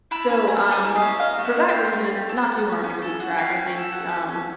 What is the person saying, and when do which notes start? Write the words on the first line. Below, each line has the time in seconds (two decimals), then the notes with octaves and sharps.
So, um, for that reason, it's not too hard to keep track. I think, um,
0.11 E4 A5 B5
0.29 C#4
0.47 A3 G#5 A#5
0.66 A3
0.72 G#5 A#5
0.84 E4
0.95 D#5 F5
1.02 C#4
1.19 A3 D#5 F5
1.38 A3
1.44 E5 F#5
1.56 E4
1.69 F5 G5
1.75 C#4
1.92 C#4 F5 G5
2.11 C#4
2.29 A4
2.47 F#4
2.65 C#4
2.84 C#4
3.02 A4
3.20 F#4
3.38 C#4 F5 G5
3.56 C#4
3.74 A4
3.92 F#4
4.10 C#4
4.28 C#4